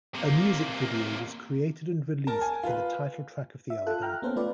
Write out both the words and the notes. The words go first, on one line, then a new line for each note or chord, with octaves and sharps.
A music video was created and released for the title track of the album.
C3 A#3
A#4 A5
G#5
F4 B4
E5
F4 A4 F#6
G5 A#5 F6 F#6
A#3 B3 C#4 A4 C5
A3 F4 B4 D5